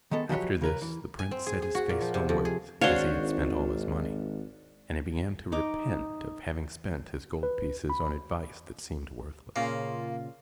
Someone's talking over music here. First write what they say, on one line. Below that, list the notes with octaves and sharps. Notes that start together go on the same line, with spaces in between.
After this the prince set his face homewards as he had spent all his money; and he began to repent of having spent his gold pieces on advice that seemed worthless.
D#3 G#3 B3 A4
F3 F#3 G#3 G4 B4 C#5
C#3 A#4 B4
E3
G#5
C4
G#4
G#4
F#4
A#2
F3
C3
F2
G#4
G#1 D4 F#4 C5 C#5 F5
D#4 D6
B4
B5
A#2 C#3 A#3 F4